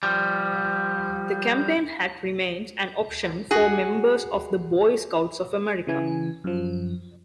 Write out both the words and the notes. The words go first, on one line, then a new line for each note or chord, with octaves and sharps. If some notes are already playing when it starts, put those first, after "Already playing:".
The campaign hat remains an option for members of the Boy Scouts of America.
F3 G3
F#4 G#4
C#3 E3 G#5
F#2 F3